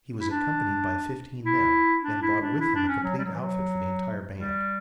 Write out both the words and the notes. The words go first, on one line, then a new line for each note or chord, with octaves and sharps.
He was accompanied by fifteen men, and brought with him a complete outfit for the entire band.
E4
D4
E4
D4
E4
D4
E4
D4
C#4
F#3
G3
F#3
E3
F#3
G3